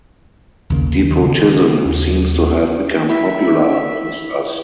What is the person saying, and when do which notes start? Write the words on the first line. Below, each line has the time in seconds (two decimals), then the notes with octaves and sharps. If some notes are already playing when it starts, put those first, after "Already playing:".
Despotism seems to have become popular amongst us.
0.70 A#1 D#2 C#3 A#3
1.02 D#3
1.21 C#3
1.85 D#2
3.09 E4 E5